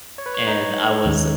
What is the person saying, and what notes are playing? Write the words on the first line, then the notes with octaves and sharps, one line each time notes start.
and I was"
C#5
B4
C#5
D#4
D#2 D#3 G#3 C#4